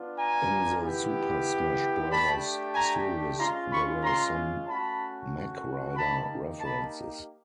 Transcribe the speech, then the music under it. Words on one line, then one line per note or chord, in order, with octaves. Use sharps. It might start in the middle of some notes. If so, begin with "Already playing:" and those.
In the "Super Smash Brothers series" there were some Mach Rider references.
Already playing: B3 D4 F4
G#5 A#5
B3 E4 G4
A3 D4 G4 A5 B5
G#5 A#5
G#3 C#4 F4 A#5 C6
B5 C#6
A#5 C6
A3 C#4 F#4 A5 B5
A#3 D#4 G4 A5 B5
A5 B5